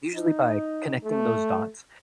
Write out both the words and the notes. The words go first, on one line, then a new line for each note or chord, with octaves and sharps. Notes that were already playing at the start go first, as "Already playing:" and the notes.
usually by connecting those dots,
D#4
A3